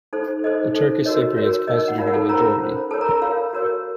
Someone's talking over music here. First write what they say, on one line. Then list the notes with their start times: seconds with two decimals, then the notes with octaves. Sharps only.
The Turkish Cypriots constituted a majority.
0.13 D#4 A4 C5
0.44 D#4 A4 C5 D#5
0.75 D#4 A4 C5
1.06 F#4 A#4 C#5 D#5
1.37 F#4 A#4 C#5
1.67 D#4 A#4 C#5 D#5
1.88 F#5
1.98 D#4 F4 A#4 C#5 F5
2.07 F#5
2.14 A4 A5
2.29 C#4 F4 A#4 C5 A#5
2.60 C#4 F4 C5
2.91 F4 A4 A#4 C#5 A5
3.01 A#4 A#5
3.22 F4 A#4 C#5 F5
3.53 F#4 A#4 C#5